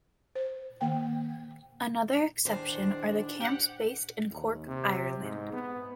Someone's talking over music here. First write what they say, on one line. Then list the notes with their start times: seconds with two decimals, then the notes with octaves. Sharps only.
Another exception are the camps based in Cork, Ireland.
0.35 C5
0.81 D#3 A#3 F#5 G5
2.45 E2 D#3 D4 C5
3.40 G4 F#5
4.33 D#2
4.67 C3
5.21 G#2
5.53 B3